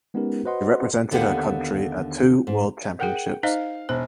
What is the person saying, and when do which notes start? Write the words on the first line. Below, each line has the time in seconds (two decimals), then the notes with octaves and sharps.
She represented her country at two World Championships.
0.14 G#3 B3 C#4 D#4 G4 A#4
0.45 F#4 B4 C5 D#5 F#5 C6
1.11 D#2 D3 B3 G4 F5 F#5
2.47 G#2
3.00 G#4 A#4 F#5 G5
3.43 D#4 C5 D#5 F5
3.89 E1 C5